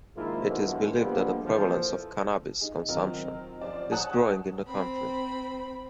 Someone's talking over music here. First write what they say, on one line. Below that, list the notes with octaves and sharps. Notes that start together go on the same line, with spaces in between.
It is believed that the prevalence of cannabis consumption is growing in the country.
D#3 F3 G#3 A#3 E4 F4
C#2 F#2 B2 D3 D#3 G#3
D3 F3 G3 G#3 A#3 B3
A#2 E3 F3 F4 A4 C5
D#4 G#4
D#3 F#3 C4 D#4 F4 A#4
F3 C#4 C5 D5
C#5 F#5 A5 D#6 F#6
C4 B5